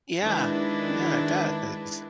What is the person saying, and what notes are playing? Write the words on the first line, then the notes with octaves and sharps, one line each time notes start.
Yeah. Yeah, it does.
D#3 G#3 D4 E4 B4